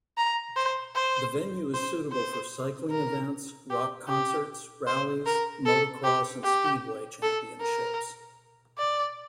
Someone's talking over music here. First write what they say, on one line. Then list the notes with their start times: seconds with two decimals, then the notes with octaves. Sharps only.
The venue is suitable for cycling events, rock concerts, rallies, motocross and speedway championships.
0.17 A#5
0.56 C5
0.95 C5
1.74 C5
2.12 C5
2.91 A#4
3.70 G4
4.08 G4
4.87 C5
5.26 A#4
5.66 A4
6.04 G4
6.44 G4
7.22 A4
7.61 A#4
8.78 D5